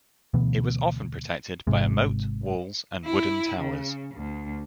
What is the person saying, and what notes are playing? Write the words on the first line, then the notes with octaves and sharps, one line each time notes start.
It was often protected by a moat, walls, and wooden towers.
D2 B2 E3 B3
G#1 G#2 C3 G#3
E4
C#3
D2